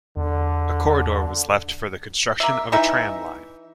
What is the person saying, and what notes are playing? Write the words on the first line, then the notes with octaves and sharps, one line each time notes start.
A corridor was left for the construction of a tram line.
E2 D3
A#3 E5
E3 D#4 E5